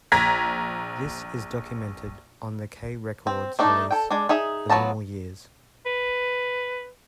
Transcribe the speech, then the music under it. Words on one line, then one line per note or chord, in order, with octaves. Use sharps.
This is documented on the K Records release "The Normal Years".
A#1 A#5 G#6 B6
C4
A3 D4 D#4
A4 G5
G#3 D4
D#4 G#4 E5
F#3 B3 F4 A5 A#5
B4